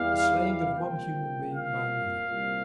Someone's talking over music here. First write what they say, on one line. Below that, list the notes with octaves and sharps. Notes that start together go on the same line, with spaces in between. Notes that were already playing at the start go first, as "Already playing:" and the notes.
The slaying of one human being by another.
Already playing: E2 E3 G3 F5
C2 A#2 F3 G5
F5
C2 A#2 G3